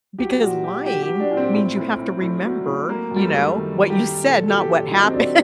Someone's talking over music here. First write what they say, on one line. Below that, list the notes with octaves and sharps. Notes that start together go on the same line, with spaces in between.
because lying means you have to remember, you know, what you said, not what happened,
F#3 G4
A#2 F#4
F#3 G4
F#3 G4
G4
F#3
D4
A#2
C4
A2
A2
A2
A2
F#3
A2
F#3 A#3
F#2
G3
A3
F#2
D#3
F#2
G4
D#3
A#2 A4
F#3 A4
G4
A#2
F#3 D#4
C4
F#3 D4